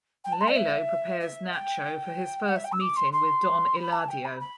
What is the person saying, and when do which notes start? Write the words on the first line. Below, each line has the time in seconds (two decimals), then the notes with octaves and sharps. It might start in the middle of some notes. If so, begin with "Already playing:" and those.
Lalo prepares Nacho for his first meeting with Don Eladio.
0.24 G5
0.32 A5
0.41 C6
0.48 D5
0.56 E5
1.20 E5
1.52 G5
2.48 F#5
2.56 E5
2.64 G5
2.72 E6
2.80 D6
2.96 C6
3.12 C6
3.76 B5
3.92 A5
4.08 G5
4.25 B5
4.40 B5